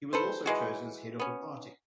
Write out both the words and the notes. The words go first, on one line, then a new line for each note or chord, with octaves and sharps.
He was also chosen as head of the party.
A4 B4 C5
E3 G#3 F#4
B3 C#4